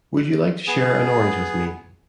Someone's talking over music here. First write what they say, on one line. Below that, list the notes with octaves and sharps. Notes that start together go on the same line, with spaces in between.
Would you like to share an orange with me?
B3 G#4